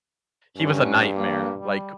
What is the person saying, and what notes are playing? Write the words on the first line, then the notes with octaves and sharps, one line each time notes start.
he was a nightmare, like,
G2 C#4
A#3
G3